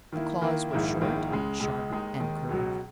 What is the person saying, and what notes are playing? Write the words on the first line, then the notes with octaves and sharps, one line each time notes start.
The claws were short, sharp, and curved.
D#3 A#3 E4
D#3 A#3 E4
A#1 G#2 D#3 A#3 E4
A#1 G#2 D#3 A#3 E4
C#2 C#3 G#3
C#2 C#3 G#3
D#2 D#3 G#3 D#4
D#2 D#3 G#3 D#4
C#2 B2 F#3